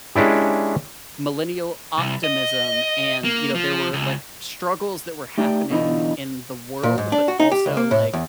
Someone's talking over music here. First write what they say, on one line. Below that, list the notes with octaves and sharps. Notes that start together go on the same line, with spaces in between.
millennial optimism, and, you know, there were, like, struggles that were happening in the world, but also, like,
G#3 C#4 D4 E4 G4
C2
D#5
A#3
F3
C#2
A3 D#4 G4 D5 G5
B2 D3 E3 D#4 F4
A#2
G#2
D4
F#4
D#4
G4
C#2
A#3
A2
E2